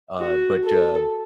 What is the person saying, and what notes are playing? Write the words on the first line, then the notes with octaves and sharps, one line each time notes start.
uh, but, uh,
F#4
A4